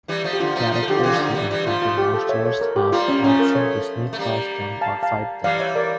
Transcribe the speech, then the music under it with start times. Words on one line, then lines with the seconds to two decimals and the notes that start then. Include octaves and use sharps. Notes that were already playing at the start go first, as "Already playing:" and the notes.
Characters who encounter monsters have the option to sneak past them or fight them.
0.08 E3 G3
0.24 F3 A3
0.33 G4
0.40 D3 F3 F4
0.56 F3 A3
0.62 F4
0.72 F3 A3
0.82 A4
0.88 D3 F3 G4
0.97 F4
1.03 C#3 E3 G4
1.13 G3
1.19 D3 F3
1.35 E3 G3
1.51 E3 G3
1.67 F3 A3 F4
1.82 F4
1.98 G4
2.14 A4
2.29 C#5 E5
2.45 A4 C#5
2.61 A#4
2.76 G4
2.92 G3 A#3 F4
3.08 C#4
3.24 F3 A3 C#4
3.40 A#4
3.55 A4 C#5
4.13 A3
4.18 G3 A#3
4.81 F5 A5
5.03 F5 A5
5.44 E3 G3 D5 F5
5.60 C#5 E5
5.76 A#4 D5